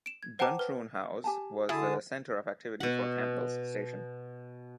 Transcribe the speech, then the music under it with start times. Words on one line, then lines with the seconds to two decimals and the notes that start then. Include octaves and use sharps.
"Duntroon House" was the centre of activity for Campbell's station.
0.06 D7 E7
0.23 G#6
0.39 C5 F#5 G5 A5 A#5 D6
0.59 B4
1.24 G4 G#5 A5
1.69 D3 E4 F#4 G#4 A5 D#6
2.80 B2 F#5